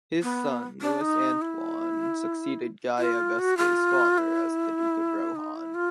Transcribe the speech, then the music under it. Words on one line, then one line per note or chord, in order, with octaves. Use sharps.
His son Louis Antoine succeeded Guy Auguste's father as the Duke of Rohan.
B3
D4
D#4
E4
F4
F#4
F4
E4
D#4
E4
F4